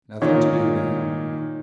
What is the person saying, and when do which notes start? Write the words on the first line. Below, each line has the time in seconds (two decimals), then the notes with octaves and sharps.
Nothing to do, now.
0.21 A#2 D#3 C#5